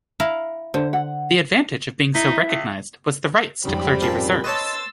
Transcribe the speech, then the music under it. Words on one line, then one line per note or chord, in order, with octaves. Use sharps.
The advantage of being so recognized, was the rights to clergy reserves.
E4 F5 A#5
D3 C5
F#5
D#4 E4 B6
C#2
F2 G#2 C#3 G3 C4 G4 B5
A#2 F5 A5
B4 C#5 D#5 A5 C6 E6 A6